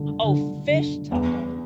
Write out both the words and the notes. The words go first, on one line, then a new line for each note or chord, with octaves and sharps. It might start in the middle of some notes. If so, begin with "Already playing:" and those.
Oh, fish taco.
Already playing: D3
D3
D3
E2